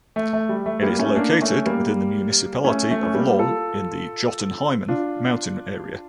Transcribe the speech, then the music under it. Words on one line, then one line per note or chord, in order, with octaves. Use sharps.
It is located within the municipality of Lom, in the Jotunheimen mountain area.
A3
A3
G3
A3
G3 A#3
A3 C#4
A#3 D4
A3 C#4
G3 A#3
A3 C#4
A3
C#4
G3 A#3
F4 A4
D4 F4